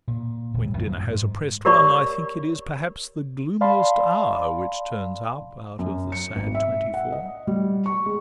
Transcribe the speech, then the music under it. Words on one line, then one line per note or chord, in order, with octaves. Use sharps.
When dinner has opprest one, I think it is perhaps the gloomiest hour Which turns up out of the sad twenty-four.
A#2
D#1 D2
F#2 A#2 D#3 G3
G#2
G4 A#4 C#5 D5 B5 C#6
D5 F5 A5 B5 C6
F#2
C#7
G#1
E5
F#5
D#5
G3
C#6
G#3